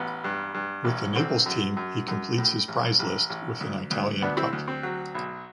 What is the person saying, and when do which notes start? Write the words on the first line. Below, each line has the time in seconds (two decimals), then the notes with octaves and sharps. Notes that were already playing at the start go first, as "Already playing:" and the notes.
With the Naples team, he completes his prize list with an Italian Cup.
Already playing: A1 B3
0.24 G2
0.54 G2
0.84 A1
1.15 D3 C4
1.46 F#2
1.77 F#2
2.08 F#2
2.38 A2
2.68 A1
2.99 A1
3.30 A1
3.60 D2
3.91 D2
4.22 D2 B3 D4
4.37 C4 E4
4.53 D2
4.68 C4
4.83 F#3
5.15 B1